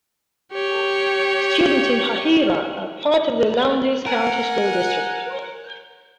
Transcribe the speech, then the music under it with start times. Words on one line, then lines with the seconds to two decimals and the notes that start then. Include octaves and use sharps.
Students in Hahira are part of the Lowndes County School District.
0.53 G4 C#5
4.06 A#4 F#5 G#5